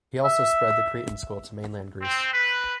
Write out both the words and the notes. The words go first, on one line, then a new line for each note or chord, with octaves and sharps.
He also spread the Cretan School to mainland Greece.
E5
C4
B4